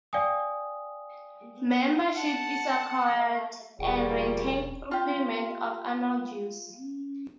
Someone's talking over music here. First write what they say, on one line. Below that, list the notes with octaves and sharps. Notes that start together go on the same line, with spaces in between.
Membership is acquired and maintained through payment of annual dues.
D5 F5 G5 G#5 D#6
F#5 A5
E1 A#2 F3 G3 G#4 C#6
F4 G4